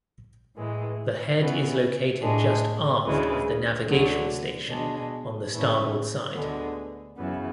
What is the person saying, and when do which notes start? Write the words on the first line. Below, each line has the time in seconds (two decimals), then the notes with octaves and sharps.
The head is located just aft of the navigation station on the starboard side.
0.55 A2 E3 G#3
1.38 C#3 E3 B3
2.21 A2 G#3 D4
3.03 D2 C#3 E3 G#3
3.87 D2 D3 F#3
4.69 B2 G#3 D4
5.52 A2 E3 A3 C#4
6.34 D2 D3 G#3 B3
7.18 F#2 C#3 E3 B3